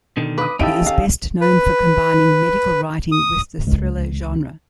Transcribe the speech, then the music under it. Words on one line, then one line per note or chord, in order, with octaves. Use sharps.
He is best known for combining medical writing with the thriller genre.
B2 D3 D#3
B4 D6 D#6
D#2 C#4 D#4 E4 G4 A4 D7
F5
B4
D#6
C#2